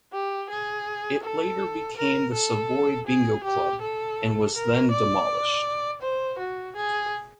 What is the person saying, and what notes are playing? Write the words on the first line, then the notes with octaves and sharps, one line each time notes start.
It later became the Savoy Bingo Club and was then demolished.
G4
G#4
A4
A#4
A4
G#4
G4
A4
A#4
D5
C5
F#4
G#4